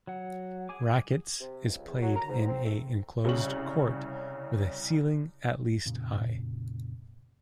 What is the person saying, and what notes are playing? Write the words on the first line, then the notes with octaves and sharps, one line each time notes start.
Rackets is played in a enclosed court, with a ceiling at least high.
F#3 F#5
G#4 G#5 D6
C3
C#2
E2
F#3
A#5
G#2
C4
A3
C2 C#3 C#4 C#6 F#7
F1 A#2 C#3